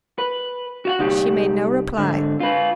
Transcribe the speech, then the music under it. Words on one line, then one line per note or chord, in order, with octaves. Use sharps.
She made no reply.
B4
F#4 F5 F#5
C2 D#4 G4
G#2 D3
F4 B4